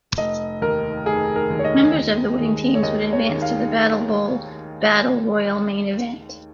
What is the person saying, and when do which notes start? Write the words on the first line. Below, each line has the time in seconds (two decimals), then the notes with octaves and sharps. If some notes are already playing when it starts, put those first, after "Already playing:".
Members of the winning teams would advance to the BattleBowl battle royal main event.
0.17 F1 D#5
0.61 D#2 D#3 A#4
1.06 F1 G#4
1.36 A#4
1.50 D#2 D#3
1.59 C#5
1.64 D#5
1.94 D#2
2.39 D#3 G#3
2.75 C#5
2.83 D#2 D#5
3.13 C#5
3.27 D#3 G#3
3.42 F5